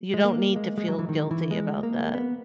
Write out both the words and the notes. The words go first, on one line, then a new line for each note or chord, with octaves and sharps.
you don't need to feel guilty about that.
G#3
A#3
G#3
G#3
F#3
E3
D#3
E3
G#3
A#3
B3